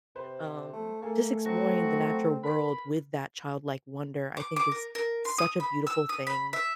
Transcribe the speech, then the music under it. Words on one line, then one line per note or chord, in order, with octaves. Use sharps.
Um, just exploring the natural world with that childlike wonder, I think, is such a beautiful thing,
C3 B4 C5
A3
A3 A#3 G#4 A4 G#5
F#3 C4 F#4
A#4 B4 B5 B6
D6
D6
A#4
A#4
C6
D#6
B5
E6
D#6
B5
E5